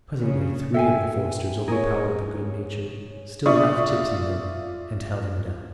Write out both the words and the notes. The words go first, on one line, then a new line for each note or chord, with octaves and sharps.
Presently three of the foresters overpowered the good-natured, still half-tipsy miller, and held him down.
C#3
A4 E5 G5 G#5
C#4 E4 G#4 A#4 C#5
F4 D5 E5 C#6 D#6